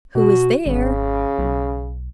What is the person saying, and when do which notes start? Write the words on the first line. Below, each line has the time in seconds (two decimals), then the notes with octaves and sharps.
"Who is there?"
0.15 B2 F#4
0.66 G#1 C#3
1.38 B1